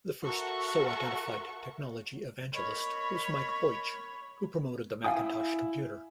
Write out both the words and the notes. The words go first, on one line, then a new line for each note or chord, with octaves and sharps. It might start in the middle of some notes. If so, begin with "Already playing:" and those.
The first so-identified technology evangelist was Mike Boich - who promoted the Macintosh computer.
F#4 A4 A#4 E5 F#5 C#6
A#4 C#5 D#5 B5
E4 F5 G5 G#5 D#6